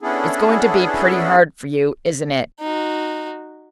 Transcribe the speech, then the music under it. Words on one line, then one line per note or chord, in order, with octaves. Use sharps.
"It's going to be pretty hard for you, isn't it?"
B3 C#4 D4 E4 G#4 A4
D#4 F#4